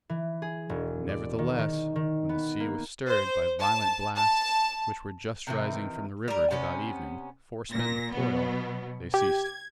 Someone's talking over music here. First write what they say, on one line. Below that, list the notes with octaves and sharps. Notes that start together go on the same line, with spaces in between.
Nevertheless when the sea was stirred by violent blasts which were just rising from the rivers about evening, forspent with toil, they ceased.
E3
G#4
E1
D5
D#3
D#3
D#3
B3
A#3
C5
A5
A5
C3 D#3 E3
G3 A#4
C3 B3 C#4
A#2 A#6
B2 F#3 B3
G4 G#6